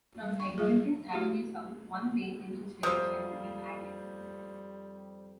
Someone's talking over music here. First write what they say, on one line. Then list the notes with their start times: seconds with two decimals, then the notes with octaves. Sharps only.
From Eglinton Avenue south, one lane in each direction would be added.
0.23 G3
0.40 C#6
0.58 F#3 G3 F4 G#4
1.13 A3 E4 F#4 G4
2.83 F2 C3 G3 C5 F5 D#6